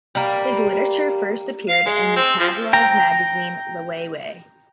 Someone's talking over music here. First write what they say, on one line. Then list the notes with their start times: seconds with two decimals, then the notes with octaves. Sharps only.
His literature first appeared in the Tagalog magazine, "Liwayway".
0.15 G3 A#3
1.69 F5
1.86 G#3
2.16 C4
2.39 F3
2.73 G5 A#5